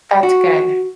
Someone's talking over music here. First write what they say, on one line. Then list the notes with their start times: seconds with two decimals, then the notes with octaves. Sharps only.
That's good.
0.23 F#4